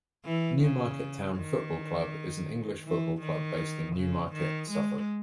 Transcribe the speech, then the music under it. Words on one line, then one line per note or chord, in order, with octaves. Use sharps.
Newmarket Town Football Club is an English football club based in Newmarket, Suffolk.
E3
C#3
D#3
E3
D#3
C#3
D#3
G#3